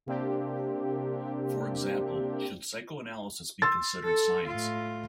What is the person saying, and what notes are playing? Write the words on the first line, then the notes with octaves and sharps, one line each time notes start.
For example, should psychoanalysis be considered science?
C3 A#3 C4 D4 G4
C6 E6 A6
A4
A2 F4